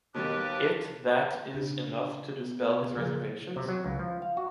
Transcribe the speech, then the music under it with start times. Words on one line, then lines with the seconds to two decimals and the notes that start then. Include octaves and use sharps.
It that is enough to dispel his reservations?
0.14 D#2 B2 D#3 G3 G4 A#4 B4 A5
1.54 C#3 D4
2.39 B3
2.97 C#3 F3 A#3 G#4
3.56 C3
3.68 F#3
3.84 C#2
3.99 F3
4.22 F5
4.37 F#4